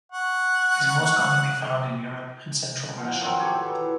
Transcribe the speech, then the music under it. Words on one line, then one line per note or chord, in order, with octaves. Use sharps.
It is most commonly found in Europe and Central Russia.
F#5 C#6
F3 F5 F#5
D#3 F3 F#3 C4
G4 A4 C#5 A5
B2
E3